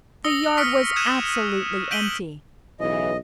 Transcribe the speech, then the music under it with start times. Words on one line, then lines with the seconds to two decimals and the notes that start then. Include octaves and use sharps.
The yard was absolutely empty.
0.25 D#6 E6 A#6 C#7 G7
0.57 C#6 F6 B6 C#7 D7
0.96 D#6 E6 F#6 G#6 D#7 E7
1.91 G6 B6 D7 D#7 F#7 G7
2.80 B1 C#3 E3 D#5